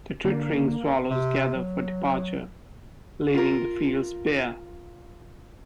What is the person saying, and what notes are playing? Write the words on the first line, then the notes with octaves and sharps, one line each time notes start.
The twittering swallows gather for departure, leaving the fields bare.
D3 A#3
C3
F#3
F4 A#4